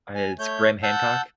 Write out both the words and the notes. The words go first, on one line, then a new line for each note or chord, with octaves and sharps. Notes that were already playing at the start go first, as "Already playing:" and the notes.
Uh, it's Graham Hancock?
G#5
A3 C#5 G6
F#5 A5 E6 G6